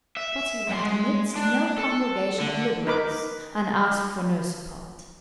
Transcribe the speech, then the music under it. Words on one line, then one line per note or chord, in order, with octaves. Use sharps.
But he went amidst no congregation of Liberals, and asked for no support.
E5
F#2 C6
G#3
D4
A4
D3
D#4 A#4 B4 B5 D6